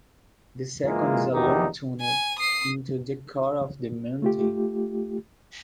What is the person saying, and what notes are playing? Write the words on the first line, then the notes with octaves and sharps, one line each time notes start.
The second is a long tunnel into the core of the mountain.
G#2 E3 G#3 A#3 F4
A#1 E2 D#3 D#4 G4
G#5
D#6 C7
A3 F4 G4